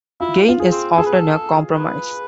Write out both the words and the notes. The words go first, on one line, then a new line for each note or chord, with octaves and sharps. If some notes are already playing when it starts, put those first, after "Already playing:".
Gain is often a compromise.
E4 F4
F4
G#4
C4
G#4 A4
B4
A4
B4